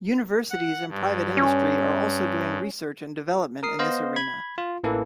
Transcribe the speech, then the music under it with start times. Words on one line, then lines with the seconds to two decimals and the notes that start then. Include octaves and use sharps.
Universities and private industry are also doing research and development in this arena.
0.50 F#5
0.89 G2
1.37 C#4
3.63 A#4 D#6 C7
3.79 B3 C5 D#5 F5
4.16 B5 G#6
4.58 F4
4.84 A1 E3 A#3 A4 B4